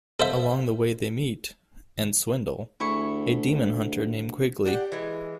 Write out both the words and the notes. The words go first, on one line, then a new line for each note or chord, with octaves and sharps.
Along the way they meet, and swindle, a demon hunter named Quigley.
A4 C5 E5
D2 E4 G#4 C#6
D4 G4 F#5
E3 G#3